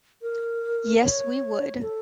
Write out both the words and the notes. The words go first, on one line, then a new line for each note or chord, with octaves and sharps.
Yes we would.
A#4
C#5
A4